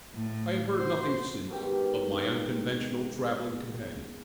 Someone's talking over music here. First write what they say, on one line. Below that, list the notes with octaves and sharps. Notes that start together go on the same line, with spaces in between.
I have heard nothing since of my unconventional travelling companion.
A2
F#4 C5
G#2 B2 D#3 G4